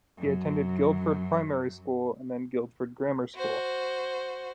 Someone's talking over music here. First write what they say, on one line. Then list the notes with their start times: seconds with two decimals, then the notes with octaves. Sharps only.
He attended Guildford Primary School and then Guildford Grammar School.
0.18 F#2 F#3
3.36 F#4 C5